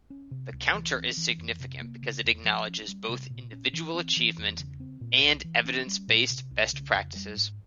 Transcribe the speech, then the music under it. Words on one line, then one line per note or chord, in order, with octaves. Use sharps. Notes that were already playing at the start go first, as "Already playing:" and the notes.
The Counter is significant because it acknowledges both individual achievement and evidence-based best practices.
C#4
C3
C#2
E3
C4
E3
F2
C3
A#3
C#3
E2
F3
C#4
G3
C3
A#2
C#4
E3
C4
E3
E2
C#3
C4
A#2
C2
E3
C#4
G3
A#2
C3
C2
C#3
F2
G3
G#2